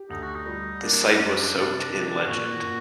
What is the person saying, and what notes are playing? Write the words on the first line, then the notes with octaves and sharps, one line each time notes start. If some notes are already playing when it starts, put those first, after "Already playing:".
The site was soaked in legend.
Already playing: G4
D2 D#4
F#4
D#4
G3
A#3 D4
F#2
C3
D#3
A#2 F#4
A#2